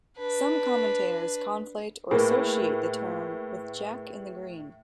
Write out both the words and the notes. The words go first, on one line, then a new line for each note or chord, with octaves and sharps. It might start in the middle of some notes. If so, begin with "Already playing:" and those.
Some commentators conflate or associate the term with "Jack in the Green".
D4 B4
A2 A#3 G#4 B4